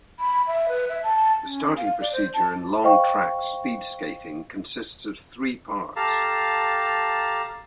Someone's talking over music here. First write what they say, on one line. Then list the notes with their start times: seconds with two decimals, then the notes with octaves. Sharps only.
The starting procedure in long-track speed-skating consists of three parts.
0.19 B5
0.47 E5
0.69 B4
0.89 E5
1.03 A5
1.44 C#4
1.76 F5
2.01 D5
2.13 C5
2.34 A5
2.84 C5 D#5 F5 G5 C#6
5.96 G4 A4 F5 A5 A#5